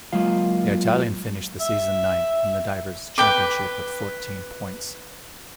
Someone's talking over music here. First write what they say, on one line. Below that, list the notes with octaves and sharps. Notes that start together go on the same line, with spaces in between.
The Italian finished the season ninth in the Divers' Championship with fourteen points.
F#3 G#3 A#3 F4 F5
E5
B4 G5 D6